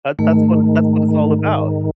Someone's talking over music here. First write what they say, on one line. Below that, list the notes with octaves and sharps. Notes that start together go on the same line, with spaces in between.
That that's how that's what it's all about
G#2 D#3 A3